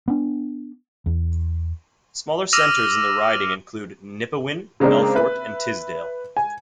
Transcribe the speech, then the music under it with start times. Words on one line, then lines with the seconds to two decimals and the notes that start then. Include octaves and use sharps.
Smaller centres in the riding include Nipawin, Melfort, and Tisdale.
0.08 B3 D4
1.06 E2
2.53 D6 E6 F6 A#6 D#7 F7
4.80 C#3 G#3 A#3 C4 D4
5.15 B4 E5
6.37 G#5